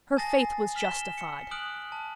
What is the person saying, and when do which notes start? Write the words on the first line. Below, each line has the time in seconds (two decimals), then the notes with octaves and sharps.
Her faith was justified.
0.17 G#5 A5 D#6 A6 A#6 C7
0.76 F6 B6 E7 G7
1.18 C#7
1.51 D#6 F6 F#6 D7 F#7
1.92 A5